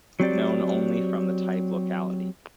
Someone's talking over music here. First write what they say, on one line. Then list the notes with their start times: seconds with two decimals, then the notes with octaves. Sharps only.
Known only from the type locality.
0.20 F#3 C4 G4 D5